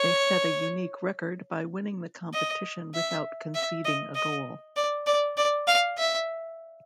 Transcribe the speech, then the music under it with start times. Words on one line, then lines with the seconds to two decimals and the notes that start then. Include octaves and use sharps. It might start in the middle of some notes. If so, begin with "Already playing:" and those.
They set a unique record by winning the competition without conceding a goal.
Already playing: C#5
2.33 D#5
2.94 E5
3.55 E5
3.85 D#5
4.15 D#5
4.76 D5
5.07 D5
5.37 D5
5.67 F5
5.98 E5